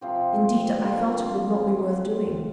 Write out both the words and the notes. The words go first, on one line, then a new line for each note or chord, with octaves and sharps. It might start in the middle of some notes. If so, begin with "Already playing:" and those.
Indeed I felt it would not be worth doing.
C3 F3 C4 G4
D3 F3 C4 F4